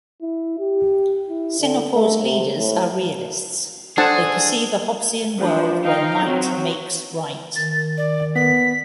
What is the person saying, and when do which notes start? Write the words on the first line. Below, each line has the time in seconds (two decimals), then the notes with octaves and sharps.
Singapore's leaders are realists; they perceive a Hobbesian world where might makes right.
0.21 E4
0.59 G4
1.29 E4
1.60 D3
1.94 A3
2.23 C3
2.57 A2
3.98 D4 G#4 A4 C5 F#5 A5
5.39 F3 D4
5.82 D#4 F5 G5 A#5
6.26 F#3 C4
7.56 D#3 A6
7.98 D5
8.36 B3 B6